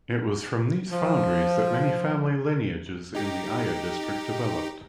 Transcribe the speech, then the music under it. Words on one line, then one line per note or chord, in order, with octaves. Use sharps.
It was from these foundries that many family lineages in the Aia district developed.
F3
D#4 G4